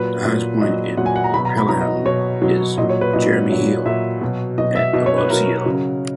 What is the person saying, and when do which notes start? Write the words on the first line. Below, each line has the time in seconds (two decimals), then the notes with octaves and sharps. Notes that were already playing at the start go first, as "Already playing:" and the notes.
The highest point in Pelham is Jeremy Hill, at above sea level.
Already playing: A#2 F#3 B4
0.25 A#2 F#3
0.61 A#2 F#3 D#5
0.97 A#2 F#3 F#5
1.06 G#5
1.16 F#5
1.24 A#5
1.34 B2 F#3 B5
1.45 A#5
1.57 B5
1.69 B2 F#3 A#5
1.81 D#5
2.05 B2 F#3 C#5
2.42 B2 F#3
2.78 A#2 F#3 D#5
2.89 C#5
3.01 B4
3.13 A#2 F#3 D#5
3.50 A#2 F#3
3.86 A#2 F#3 E5
4.21 B2 F#3
4.58 B2 F#3 D#5
4.75 E5
4.93 B2 F#3 D#5
5.06 C#5
5.18 B4
5.30 B2 F#3 A#4
5.66 C#3 F#3